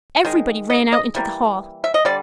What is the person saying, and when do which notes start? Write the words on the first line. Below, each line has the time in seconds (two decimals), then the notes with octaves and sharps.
Everybody ran out into the hall.
0.25 D#3 G#3
0.70 D#5
0.92 D#5
1.15 E3 G3 A#3
1.84 E5
1.94 D#5
2.05 D3 G3 D5